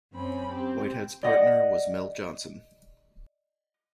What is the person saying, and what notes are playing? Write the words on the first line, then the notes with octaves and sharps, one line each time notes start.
Whitehead's partner was Mel Johnson.
F#2 C4 C#4 B5
C4 G4
D5 D#5 F#5